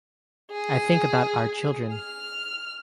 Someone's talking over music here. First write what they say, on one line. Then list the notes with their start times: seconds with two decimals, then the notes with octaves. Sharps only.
I think about our children.
0.51 G#4
1.94 F6